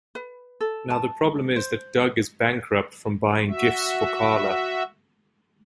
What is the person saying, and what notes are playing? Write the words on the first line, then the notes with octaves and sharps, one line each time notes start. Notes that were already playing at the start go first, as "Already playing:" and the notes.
Now the problem is that Doug is bankrupt from buying gifts for Carla.
B4
A4
A5
C5
F#4 E5